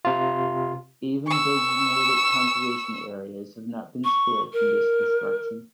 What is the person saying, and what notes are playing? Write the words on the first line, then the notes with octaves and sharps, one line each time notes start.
Even designated conservation areas have not been spared from this destruction.
C3 F4
C#6 E6
C#6
A#4